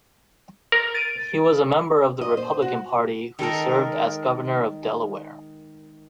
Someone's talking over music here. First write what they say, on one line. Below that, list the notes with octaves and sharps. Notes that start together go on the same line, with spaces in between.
He was a member of the Republican Party who served as Governor of Delaware.
A#4
A6 D7 D#7
D#5
C5
F#4
D#3 G#3 A4 A#4